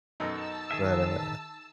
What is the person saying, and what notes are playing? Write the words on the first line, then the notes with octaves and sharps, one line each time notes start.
But, uh,
F#2 B2 D#4 A4 A5 E6
D#3 G#4 E5